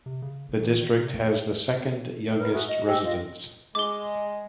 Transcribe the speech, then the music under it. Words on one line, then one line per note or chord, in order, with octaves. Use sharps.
The district has the second youngest residents.
C3
C#3
G1
E3
D#3
C3
A3
A#4 B4 F6
F#4 E5 G#5 D#6
D#5
G4 D#5 G#5 E6
F4 D#5
G#3 D6 G7